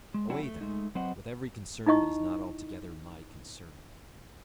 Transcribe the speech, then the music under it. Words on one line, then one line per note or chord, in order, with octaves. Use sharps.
Away, then, with every concern that is not altogether my concern!
G#3
F#3 C4 D4 E4 F#5
A3
G#3 A3 D#4
F#3 C4 B4 C5 D#5 F#5
D#4 E4 D#5 C#6